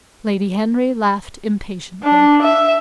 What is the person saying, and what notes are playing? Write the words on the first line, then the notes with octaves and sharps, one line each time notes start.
Lady Henry laughed impatiently.
D4
E5